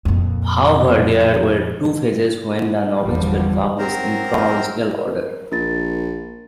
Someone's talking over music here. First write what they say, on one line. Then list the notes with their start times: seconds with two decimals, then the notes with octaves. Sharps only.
However, there were two phases when the novels were published in chronological order.
0.05 F2 A#2
3.01 G1 E2 D3 F3 G3
3.79 F#3 C4 A#4 C5 A#5
4.98 A#4
5.52 A#1 A#4 A6